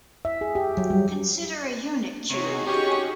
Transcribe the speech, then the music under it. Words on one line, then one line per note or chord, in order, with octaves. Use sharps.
Consider a unit cube.
E5
G#4
G4
F#3
G3
C3 D#4 F#4 G#4 C#5
C#4 G4 C#6